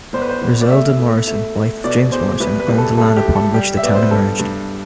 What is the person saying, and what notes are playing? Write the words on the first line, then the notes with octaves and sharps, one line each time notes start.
Roselda Morrison, wife of James Morrison, owned the land upon which the town emerged.
G1 C5
B4
C5
G1
D5
A3 E5
A3
A3
A3
B2 D5
E2 C5
C2 B4
B4
C2
A4
A3 A4
G4
A3
A4
G3 G4
E5
B3 D5
C5
B4
G2 A4
G2